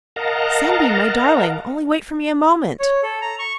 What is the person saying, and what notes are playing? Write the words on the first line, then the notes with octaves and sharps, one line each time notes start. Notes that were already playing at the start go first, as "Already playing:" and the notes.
'Sunbeam, my darling--only wait for me a moment.'
A#4 D#5 F5 F#5 A5 A#5
C#5
A4
A#5
C#6